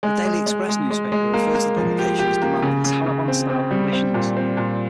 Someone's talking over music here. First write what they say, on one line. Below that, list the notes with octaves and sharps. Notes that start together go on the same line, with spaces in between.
The "Daily Express" newspaper referred to the publication as demanding "Taleban-style" conditions.
G#3
G#3
G#3
G#3
G#3
G#3
A#3
A#3
F3
G4
G4
A#3
C#3
C#3
C#3
C4
C4
G3
C4
A#2
C4
A#2